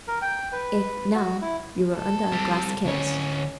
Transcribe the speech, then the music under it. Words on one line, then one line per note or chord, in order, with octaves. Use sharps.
"If, now, you were under a glass case."
A#4
G5
B4
F#4
E4
A4
G3 C4
D2 C#4 C#5